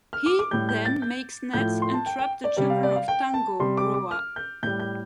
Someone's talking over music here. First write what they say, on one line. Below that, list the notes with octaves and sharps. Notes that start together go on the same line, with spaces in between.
He then makes nets, and traps the children of Tangaroa.
F6
D6
D6
A2 G3 G6
G6
A6
G6
A2 F3 A3 G6
C6
A5
G5
G5
D5
C3 G3 D5
F5
D5
F5
G5
A5
C3 G3 C6
D6
D6
F6
G6
A2 G3 G6
G6